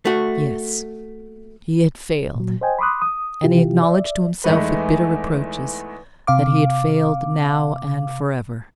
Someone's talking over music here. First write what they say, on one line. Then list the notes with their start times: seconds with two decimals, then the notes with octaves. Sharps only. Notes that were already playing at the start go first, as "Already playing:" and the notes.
Yes; he had failed: and he acknowledged to himself, with bitter reproaches, that he had failed, now and for ever.
0.05 A3 F#4
2.35 A#2 F#3
2.61 C5 D#5 G5 G#5
2.79 B5 C6 D6 D#6 F#6
3.02 D#6
3.44 C3 E3 E4 F4 G4
3.82 D5 E5
4.44 E2 G#3 A3 D#4 B4
6.27 C3 F5 D6